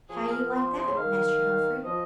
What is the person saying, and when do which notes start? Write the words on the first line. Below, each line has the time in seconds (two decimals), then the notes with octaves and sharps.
How you like that, Master Humphrey?
0.09 F3 G#4
0.31 A#4
0.53 C5
0.75 C3 C5
0.86 C#3
0.97 D#3 F5
1.84 F3 D#5